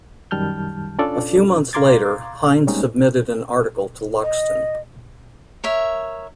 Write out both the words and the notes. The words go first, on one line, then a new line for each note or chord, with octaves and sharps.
A few months later Hind submitted an article to Luxton.
F#2 D#3 G3 A5 F6 G6
C#4 D4 F4 A4 D5
F5 A#5 C6 D6 G#6 A6
G3 G#3 A#3 C4 C#4 D#4
D#5
A#4 C#5 E5